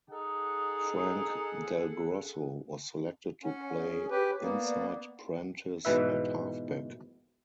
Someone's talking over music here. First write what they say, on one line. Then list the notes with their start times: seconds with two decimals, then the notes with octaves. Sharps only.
Frank Delgrosso was selected to play inside Prentice at halfback.
0.11 D#4 G#4 A4 F#5
3.44 C#4 F#5
3.73 G#4
4.10 G4 B4 C#5
4.42 A#3 B3 D5
5.85 G#2 B2 E3 B4 E5